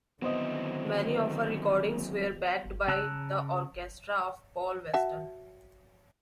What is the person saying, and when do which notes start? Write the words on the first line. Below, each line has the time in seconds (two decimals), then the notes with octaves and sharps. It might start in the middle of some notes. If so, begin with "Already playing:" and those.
Many of her recordings were backed by the orchestra of Paul Weston.
0.22 D3 D#3 F#3 B3 C4 E4 C5 D#5
2.88 C#3 A5 A#5 E6 F#6
4.94 F#4 E5 A5